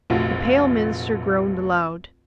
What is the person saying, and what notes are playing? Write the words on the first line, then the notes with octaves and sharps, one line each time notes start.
The pale minister groaned aloud.
F1 A#1 A3 F4 F#4